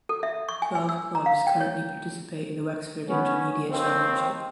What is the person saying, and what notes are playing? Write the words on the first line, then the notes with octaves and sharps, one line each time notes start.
Twelve clubs currently participate in the Wexford Intermediate Championship.
A4
E5
C#6
G#5
G#5
E6
A#5
F5
G5
C#5
B3 C#4
D#2 D#3 C4